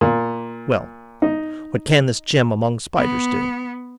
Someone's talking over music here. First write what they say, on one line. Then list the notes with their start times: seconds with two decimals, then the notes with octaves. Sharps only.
Well, what can this gem among Spiders do?
0.01 A#2
1.22 D#4
2.96 B3